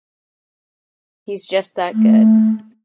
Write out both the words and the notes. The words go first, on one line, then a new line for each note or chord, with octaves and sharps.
He's just that good.
A3